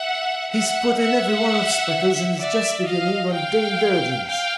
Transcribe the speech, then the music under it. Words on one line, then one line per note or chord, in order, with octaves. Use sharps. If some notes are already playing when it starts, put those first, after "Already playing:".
He's put in every one of Speckle's, and is just beginning on Dame Durden's.
Already playing: E5 F#5
E5 F#5
E5 F#5
D5 E5
D#5 F5
F5 G5
F5 G5